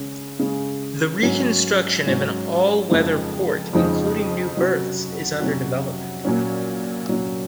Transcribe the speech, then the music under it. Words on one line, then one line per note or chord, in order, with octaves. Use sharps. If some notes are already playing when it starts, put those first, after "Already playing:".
The reconstruction of an all weather port including new berths is under development.
Already playing: C#3 G#3 C#4
C#3 G#3 C#4
G#2 F#3 C#4
G#2 F#3 C#4
F2 C#3 F3 G#3 D#4
F2 C#3 F3 G#3 D#4
C3 F#3 C#4 F#4
C3 F#3 C#4 F#4
A#2 F#3 C#4
A#2 F#3 C#4